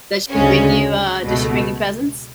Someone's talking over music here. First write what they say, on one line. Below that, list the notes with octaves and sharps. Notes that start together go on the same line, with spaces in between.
Does she bring you, uh, does she bring you presents?
D2 C#3 G#3 C#4
C#2 B2 A3